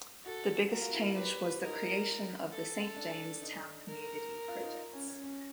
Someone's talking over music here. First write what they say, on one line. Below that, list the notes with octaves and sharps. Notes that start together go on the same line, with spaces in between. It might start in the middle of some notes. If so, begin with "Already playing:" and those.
The biggest change was the creation of the Saint James Town Community Projects.
F#4 A4
F#4 A#4
F4
E4
F4
G4 B4
D#4 A#4
A4
D4
D#4
A#4
F4
D#4
C#4
C#4
C#4